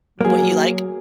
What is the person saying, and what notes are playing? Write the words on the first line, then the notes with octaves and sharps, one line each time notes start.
what you like?
F#3 A#3 G#4